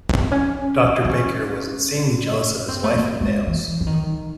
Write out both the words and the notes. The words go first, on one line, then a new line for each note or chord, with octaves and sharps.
Doctor Baker was insanely jealous of his wife and Bales.
C4
C#4
D4
D4
C#4
C4
A3
A#3
G#3
E3
E3
D#3